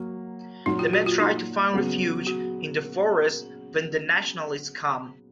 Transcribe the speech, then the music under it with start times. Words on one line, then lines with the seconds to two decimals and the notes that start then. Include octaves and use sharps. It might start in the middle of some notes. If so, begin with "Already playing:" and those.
The men try to find refuge in the forest when the Nationalists come.
Already playing: F#3 A#3
0.66 A#2 F#3 A#3 D#4
0.79 F4
0.93 F#4
1.06 F4
1.20 D#4
1.74 C#3 F#3 B3
2.27 F#4